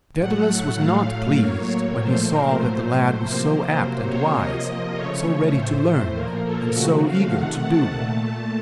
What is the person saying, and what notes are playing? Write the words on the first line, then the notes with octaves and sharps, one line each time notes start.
Daedalus was not pleased when he saw that the lad was so apt and wise, so ready to learn, and so eager to do.
A2 F#3 A3 F#5
A2 F#3 A3 F5
A2 F#3 A#3 C#5
C#5
A#2 F3 A3 C5
A#4
A2 F#3 A3 C5
C3 F3 A#3 C5
C3 F#3 A#3
C#5
C3 F3 A#3 D#5
C#3 F3 A3 C#5
C#5
A2 A3 C5
A#2 F3 A#3 A#4
A4
C#3 F3 A3 F#4
F5
C3 D#3 A3 F#5
A5
A#2 A3